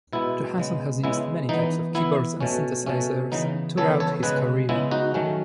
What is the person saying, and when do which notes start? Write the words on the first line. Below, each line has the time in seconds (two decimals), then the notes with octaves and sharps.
Johansson has used many types of keyboards and synthesizers throughout his career.
0.13 B2 G#3 B3 E4
0.58 C#3 G#3 B3
1.04 C#3 G#3 B3 E4
1.49 E3 B3 D#4
1.95 E3 B3 E4
2.40 B2 A3 C#4
2.86 B2 A3 C#4
3.32 C#3 E3 B3 D#4
3.77 C#3 E3 B3 A4 C#5
4.00 A4 C#5
4.23 C#3 G#3 B3 G#4 B4
4.69 C#3 G#3 B3 E4
4.91 D#4 F#4
5.14 D#3 F#3 A3 C#4